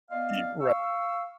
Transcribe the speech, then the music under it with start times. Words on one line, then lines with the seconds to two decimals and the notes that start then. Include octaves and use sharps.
Ye right.
0.11 B3 D5 D#5 F5
0.60 F5 C#6 E6